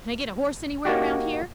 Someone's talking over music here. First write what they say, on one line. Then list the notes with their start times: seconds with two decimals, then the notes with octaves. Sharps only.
"Can I get a horse anywhere around here?"
0.85 A#3 D#4 F#4 G4